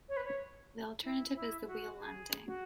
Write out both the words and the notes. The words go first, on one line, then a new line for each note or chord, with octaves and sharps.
The alternative is the "wheel landing".
C#5
B4
C#5
E4
E4
F#4
G#4
F#4